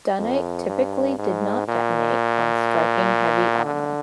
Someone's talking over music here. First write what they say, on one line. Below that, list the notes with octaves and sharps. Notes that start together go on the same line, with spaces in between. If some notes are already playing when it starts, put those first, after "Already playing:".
Dunnite typically did not detonate on striking heavy armor.
F2
G2
G#2
A#2
D3